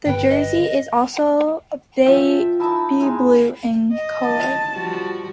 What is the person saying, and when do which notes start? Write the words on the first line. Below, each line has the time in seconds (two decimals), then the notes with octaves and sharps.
The jersey is also baby blue in colour.
0.06 G1 B4 G5
0.30 D#5
2.05 F3 E5 G5
2.59 D#4 E4 A5 E6
3.00 G#3 D#4 E4
3.92 D#5
4.23 A5
4.74 F3 G3 F#4